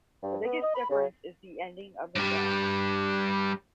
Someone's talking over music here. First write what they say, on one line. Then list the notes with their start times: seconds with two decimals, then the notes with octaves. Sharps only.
The biggest difference is the ending of the film.
0.22 G2
0.45 B3
0.62 D#5
0.75 B5
0.90 C#3
2.16 G2 G3